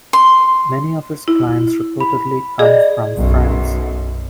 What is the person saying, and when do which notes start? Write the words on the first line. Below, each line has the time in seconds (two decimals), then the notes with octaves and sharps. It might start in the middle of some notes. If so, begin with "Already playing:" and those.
Many of its clients reportedly come from France.
0.13 C6
1.28 E4
2.00 B5
2.59 G#4 D5 D#5
3.16 B1 F#2